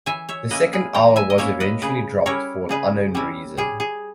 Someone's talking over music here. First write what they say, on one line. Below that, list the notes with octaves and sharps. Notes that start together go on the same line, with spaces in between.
The second hour was eventually dropped for an unknown reason.
E3 E5 G#5
C#5 E5
A#3 C#4 E4 B4 D#5
G#4 B4
E3 G5 A#5
E5 G#5
D#5
A#3 C#4 E4 C#5 E5
B4 D#5
C#3 G#4 B4
G3 C#4 E4 A#4 C#5
C#3 G#4 B4
G3 C#4 E4
G3 G#4
G#4